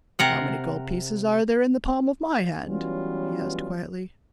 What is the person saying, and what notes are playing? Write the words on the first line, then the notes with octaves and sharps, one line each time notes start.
"How many gold pieces are there in the palm of my hand?" he asked quietly.
C3 A#4 F#5
E3 F#3 G3 B3 C#4 F4